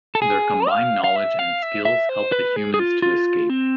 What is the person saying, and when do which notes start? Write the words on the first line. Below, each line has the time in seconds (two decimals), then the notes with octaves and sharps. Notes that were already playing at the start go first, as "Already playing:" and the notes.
Their combined knowledge and skills help the humans to escape.
0.15 A4
0.22 G#4
0.69 F5
1.04 F5
1.16 E5
1.39 F5
1.62 E5
1.85 E5
2.09 C5
2.32 B4
2.56 G#4
2.74 G#4
2.79 F4
3.02 F4
3.49 C4